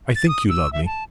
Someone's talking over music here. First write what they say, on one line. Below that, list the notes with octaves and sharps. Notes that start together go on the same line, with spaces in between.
I think you love me.
A6
D#6
E6
E5
A5